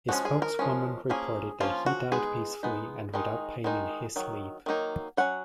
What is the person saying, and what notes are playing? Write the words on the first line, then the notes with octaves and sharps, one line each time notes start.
His spokeswoman reported that he died "peacefully and without pain in his sleep".
F3 G#3 C#4 F#4
G#4
A#4
F3 G#3 C#4
F3 A#3 C#4 G#4
F3 A#3 C#4 F4
F#4
G#3 B3 D#4 G#4
G#3 B3 D#4
D#3 G#3 D#4
D#3 G#3 D#4
D#3 F#3
D#3 F#3 A#3 D#4
F#3 C#4 F#5